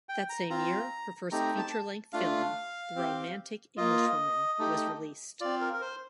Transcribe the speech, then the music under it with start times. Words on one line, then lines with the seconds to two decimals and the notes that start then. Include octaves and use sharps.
That same year her first feature-length film "The Romantic Englishwoman" was released.
0.09 G5
0.29 A#5
0.50 C4 F4 A#5
1.32 A3 C4 D#4 G4 A#5
1.58 A5
2.13 A3 D4 F4 F5
2.96 C4 G4
3.77 A#3 F4 D#5
4.59 A3 D#4 G4
5.41 C4 F4 D5
5.61 A#4
5.73 A#4
5.81 C5